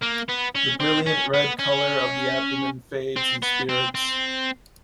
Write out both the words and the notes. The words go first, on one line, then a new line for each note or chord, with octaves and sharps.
The brilliant red colour of the abdomen fades in spirits.
A#3
B3
C#4
C4
C#4
B3
C#4
C4
B3
C4
C4